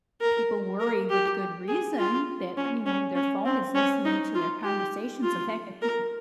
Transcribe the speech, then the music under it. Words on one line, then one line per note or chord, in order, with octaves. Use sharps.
people worry with good reason that, you know, their phone is listening to their conversations. In fact, I think G
A#4
A#4
G4
G#4
F4
C#4
C#4
C#4
C4
C#4
D#4
F4
G4
F4
A#4